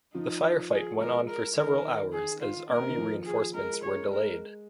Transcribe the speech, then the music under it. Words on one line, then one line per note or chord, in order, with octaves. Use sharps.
The firefight went on for several hours as army reinforcements were delayed.
F3 D#4 F4
G#4
F4
G#3 G#4 A#4
A#4
D#3 D#4 A#4
G#4
F4
A#3 A#4
C#4
D#3 D#4
F3 F4
G#4
G#3 G#4 A#4
G#4 C#5
A#4
G#3 G#4
A#4